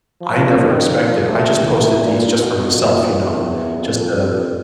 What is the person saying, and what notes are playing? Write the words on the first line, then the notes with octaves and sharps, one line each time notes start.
I never expected. I just posted these just for myself, you know, just to
F3
D#3
F3
A3
E3
A#2
B2
A#2
E2
F2
F2